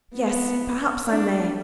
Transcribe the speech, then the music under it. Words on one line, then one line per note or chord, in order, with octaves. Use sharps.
'Yes, perhaps I may.
B3
D4